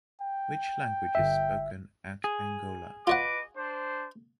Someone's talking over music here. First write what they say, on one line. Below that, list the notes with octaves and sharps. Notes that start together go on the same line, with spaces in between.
Which language is spoken at Angola?
G5
G1 E5
G#4
F4 B4 C#5 D#5 F#5 D6
D4 C5